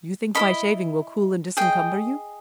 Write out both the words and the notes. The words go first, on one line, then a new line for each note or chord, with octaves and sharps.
You think my shaving will cool and disencumber you?
E4 A#4 D#5 B5
G#4 D#5 G5